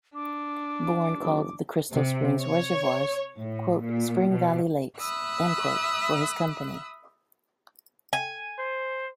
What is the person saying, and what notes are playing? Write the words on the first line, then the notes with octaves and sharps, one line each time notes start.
Bourn called the Crystal Springs Reservoirs "Spring Valley Lakes" for his company.
D4 D6
F#1
C3
C#5
A2
A#2
B2
E5 B5 D#6 E6 F#6
G#5
C5